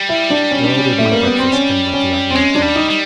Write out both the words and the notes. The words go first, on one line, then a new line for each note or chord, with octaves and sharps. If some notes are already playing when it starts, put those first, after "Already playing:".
I ordered my breakfast and let the argument go on.
Already playing: G3
E4
D4
C#4
D4
C#4
A3
A#3
B3
C4
C#4
C#4
C4
G#3 C#4
D4
G3
D#4
G3